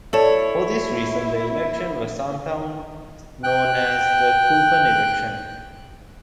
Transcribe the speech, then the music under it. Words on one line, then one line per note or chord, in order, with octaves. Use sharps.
For this reason the election was sometimes known as the coupon election.
E4 A4 C#5 D5 A5
G5 F#6